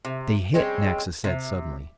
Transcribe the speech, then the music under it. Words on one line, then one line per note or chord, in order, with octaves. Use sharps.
"They hit!" Naxa said suddenly.
C3
G3 G#3 C4 C#4
C3